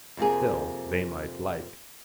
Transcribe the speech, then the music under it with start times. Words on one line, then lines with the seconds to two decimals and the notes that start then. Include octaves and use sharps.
Still they might like.
0.17 F2 C3 A#3 G#4